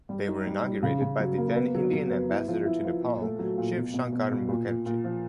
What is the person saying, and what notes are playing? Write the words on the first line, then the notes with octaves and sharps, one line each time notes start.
They were inaugurated by the then Indian ambassador to Nepal Shiv Shankar Mukherjee.
G3
D#4
G3
G3
C#3
C#3
F#3
A#3
B3
F#3
F#3
B3
E4
F3
E4
F3
A#2
A3
F#3
A#2
B2
B2
B2
B2
A#2
A#2
A#2
F3